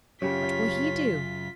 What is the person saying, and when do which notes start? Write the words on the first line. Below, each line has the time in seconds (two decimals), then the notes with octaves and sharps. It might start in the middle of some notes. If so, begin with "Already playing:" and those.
"What will he do?"
0.22 F#2 C#3 F4 G4 C#5 B6